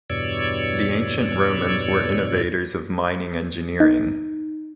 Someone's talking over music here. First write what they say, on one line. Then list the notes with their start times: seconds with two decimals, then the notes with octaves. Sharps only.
The ancient Romans were innovators of mining engineering.
0.10 E2 G2 B2 C#5 D5 E6
3.80 D#4